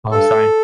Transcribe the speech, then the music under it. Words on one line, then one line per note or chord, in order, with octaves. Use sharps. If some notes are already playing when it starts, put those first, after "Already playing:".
Oh, sorry.
G2 A4